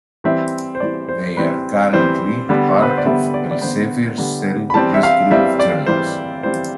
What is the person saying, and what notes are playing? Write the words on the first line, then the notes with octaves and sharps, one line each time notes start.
They are currently part of Elsevier's Cell Press group of journals.
E3 G3 C4 E5
C5
E3 G3 C4 D5
C5
E3 G3 C4 B4
E3 G3 C4 C5
D3 G3 B3
B4
C5
D5
D3 G3 B3 E5
D5
D5
D3 G3 B3 C5
D3 G3 B3
B5
E3 G3 C4 A5
E5
F5
E3 G3 C4 E5
D5
E3 G3 C4 C5
E3 G3 C4 C5